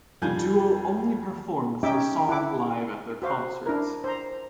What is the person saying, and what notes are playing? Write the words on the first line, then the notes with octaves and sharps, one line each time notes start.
The duo only performed the song live at their concerts.
F2 F3 G3 F4 G#5 G6
C#4 D#4 G4 E5 G5 D6
E4 F#5 D6
F#4 C5 F5
D4 E4 A#4
C5 A#5